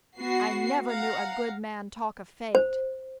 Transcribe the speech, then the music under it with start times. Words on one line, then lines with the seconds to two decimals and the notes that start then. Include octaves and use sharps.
I never knew a good man talk of fate.
0.19 B3 F#4 C7
0.87 F5 F#5 A#5
2.55 C5